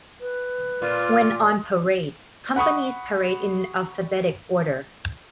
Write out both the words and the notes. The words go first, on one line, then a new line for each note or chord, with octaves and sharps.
When on parade, companies parade in alphabetic order.
B4
A#2 F4
F#5 B5 C#6 D#6